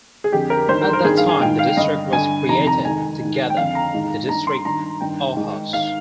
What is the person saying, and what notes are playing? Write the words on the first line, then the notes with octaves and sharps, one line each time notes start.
At that time the district was created, together with the district Ahaus.
G#4
F2 D3 G4
A#4
G2 D#3 C5
A#4
A#4
G2 D#3 G#4
F5
G#5
G#2 D#3 G5
F5
G2 D3 D#5
G2 D3 G#5
F2 C3 D#3 A#5
A#5
G#2 D#3 G#5
G#2 D#3
G5
F2 D3 F5
A#5
G#2 D#3
G2 D#3 A#5
C6
G2 D#3 A#5
G2 D#3 G5
G#2 D#3
G#2 D#3 F5